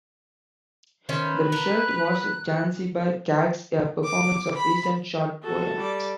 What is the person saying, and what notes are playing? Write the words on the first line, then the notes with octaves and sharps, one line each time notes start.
The result was "Zanzibar Cats", a performance of recent short poems.
D#3 C#4 B4 C5
A#4 F#6
D6
B5
F#4 A4
G3 D5